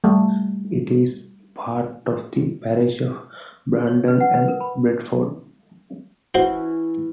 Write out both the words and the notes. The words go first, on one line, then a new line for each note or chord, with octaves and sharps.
It is part of the parish of Brandon and Bretford.
G3 A3
C#5
B4
F#5
B4
A#4
B5
E3 C#4 E4 F#4 C5